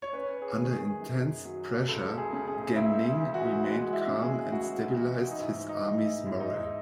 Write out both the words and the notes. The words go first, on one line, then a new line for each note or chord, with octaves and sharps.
Under intense pressure, Gan Ning remained calm and stabilized his army's morale.
C#5
C#4 B4
G#4
D#3
G#4
F#2
F#3
C#2 A4
G#4
C#3
G#4
C#2 E4
E4
E3
F#4
G#3 F#4
E4
C#3
G#4
C#2 F#4
E3 F#4
D#4
G#2 E4
D#4
E3
E4
G#2 E4
D#4
E4